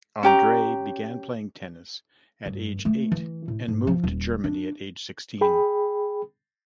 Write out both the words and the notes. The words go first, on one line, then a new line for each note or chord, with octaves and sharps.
Andrei began playing tennis at age eight, and moved to Germany at age sixteen.
C#4 G4 A#5
G2
A3
E3
A2
G#2
F3
D#1
D4
G#4 G5 B5